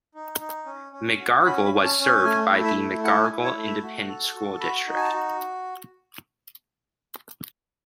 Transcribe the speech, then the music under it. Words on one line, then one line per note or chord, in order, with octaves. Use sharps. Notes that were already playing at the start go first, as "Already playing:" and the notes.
Megargel was served by the Megargel Independent School District.
D#4
D#4
C#4
C#4
F#4
C#4 B5
B5
C#4
A5
C#4
G#5
A3 G#5
E4
E5
A3
E4 F#5
G#5
E4
C#5
A3
E5
F#4
A4
F#4
F#4 B5
D#4
G#5
A5
F#4